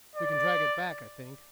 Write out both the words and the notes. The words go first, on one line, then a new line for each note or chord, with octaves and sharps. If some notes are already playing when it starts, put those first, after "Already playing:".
We can drag it back, I think.
D5